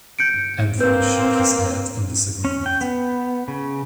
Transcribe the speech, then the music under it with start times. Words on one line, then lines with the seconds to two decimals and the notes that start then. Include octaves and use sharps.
Anthony shook his head in disagreement.
0.19 G6 C#7 D7
0.80 A#3 C4 B4 G6
2.45 C#4
2.66 G5
2.81 B3
3.48 C#3